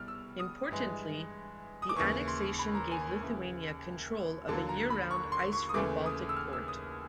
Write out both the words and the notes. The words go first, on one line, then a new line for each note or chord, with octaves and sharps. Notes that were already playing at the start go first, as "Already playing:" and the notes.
Importantly, the annexation gave Lithuania control of a year-round ice-free Baltic port.
Already playing: C2 B2 G3 F6
E6
D#6
G2 E3 G#3
D#6
D6
D#2 C#3 E3 C#6
C6
B5
A#5
G#5
D#2 C#3 E3
D#2 D3 F#3 A#3 A5
A#5
B5
C#6
C6
C#6
D#6
D#2 C#3 E3 A3 D6
D#6
E6
F6
E6
D#6